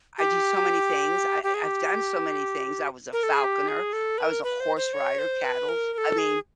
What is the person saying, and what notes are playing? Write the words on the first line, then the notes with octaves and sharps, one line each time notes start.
I do so many things, I I've done so many things; I was a falconer, I was a horse rider cattles. I mean,
G4
G4
G#4
G4
A#4
A4
G#4
G4
G#4
A4
B4
A#4
B4
C5
C5
C#5
C5
B4
A#4
A#4
A4
G#4